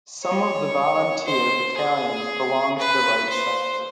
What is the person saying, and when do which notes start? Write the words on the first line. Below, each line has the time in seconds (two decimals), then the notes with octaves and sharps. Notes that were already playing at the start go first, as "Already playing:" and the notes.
Some of the volunteer battalions belong to Right Sector.
0.24 C#5
1.26 C5
1.77 G#4
2.79 B4
3.29 C5